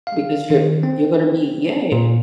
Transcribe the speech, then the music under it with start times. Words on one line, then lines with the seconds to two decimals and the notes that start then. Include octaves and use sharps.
because you're you're gonna be yeah.
0.07 F5
0.50 D#3
0.83 C4
1.92 A#2